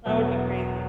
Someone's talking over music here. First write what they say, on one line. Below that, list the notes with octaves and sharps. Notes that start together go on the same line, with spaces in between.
That would be crazy.
E1 E2 B2 F#3 B3